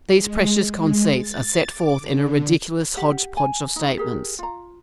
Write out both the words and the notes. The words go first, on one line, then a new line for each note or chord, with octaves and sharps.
These precious conceits are set forth in a ridiculous hodge-podge of statements.
G#3
G#3
A6
D6
D3
G4 F#5
G#5
D#4
G4 G#4 A#4
F4 A#5